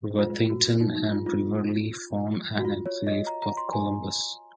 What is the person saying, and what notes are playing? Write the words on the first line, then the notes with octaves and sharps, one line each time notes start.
Worthington and Riverlea form an enclave of Columbus.
F4
F#4
D#4
D#4
F4
F4
F#4
F4
C#5
D#5
A#5
A#5
C6
G#5